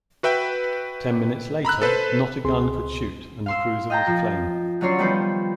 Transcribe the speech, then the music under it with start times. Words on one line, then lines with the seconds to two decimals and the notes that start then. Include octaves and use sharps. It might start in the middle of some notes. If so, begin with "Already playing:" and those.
Ten minutes later not a gun could shoot and the cruiser was aflame.
0.23 F#4 B4 E5 G5
1.65 A#5 B5 E6 F#6
1.82 A4 B4 C5
2.44 C#2 C4 G#4 C6
3.46 F5 C6 E6
3.90 D#5 F5 G5 A5 A#5
4.07 F3
4.81 D3 F#3 C#4 D4 C#5 C6
4.98 D#3 F3 G3 B3 B4 C5